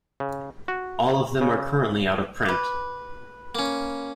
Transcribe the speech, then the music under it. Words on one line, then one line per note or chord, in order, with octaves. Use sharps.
All of them are currently out of print.
C#3
F#4
C#3
B4 D6
A#3 C#4